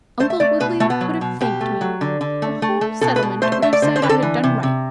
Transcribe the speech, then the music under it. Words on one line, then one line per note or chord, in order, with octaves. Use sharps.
Uncle Woodley would have thanked me--the whole settlement would have said I had done right.
A3 C5
E5
A3 D5
B2 B4
B2 A3
B3
F#3
B2
B2 G4
A3
F#3
D3
D3
A3
A3
A3
B2 A4
B4
B2
A3 C5
C5
A3 E5
D5
D3 C5
C5
D3 B4
A4
E3
C3
C3